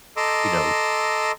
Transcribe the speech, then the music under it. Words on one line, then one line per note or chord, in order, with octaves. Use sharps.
you know,
A4 D#5 A#5 C6 D6 E6